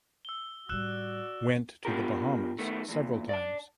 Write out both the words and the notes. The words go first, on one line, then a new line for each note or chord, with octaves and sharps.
Went to the Bahamas several times.
E6 G7
A2 G3 F#4 D5 E6 F#6 E7
B3 D4 F4 G4 A#4
D#3 A3 B3
E2 A#2
D5 A5